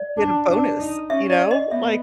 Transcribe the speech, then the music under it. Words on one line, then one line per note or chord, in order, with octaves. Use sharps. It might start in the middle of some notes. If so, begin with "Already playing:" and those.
get a bonus, you know, like
Already playing: D5
D4
D4
D#4
C#4 E5
D5
D#5
B3 E5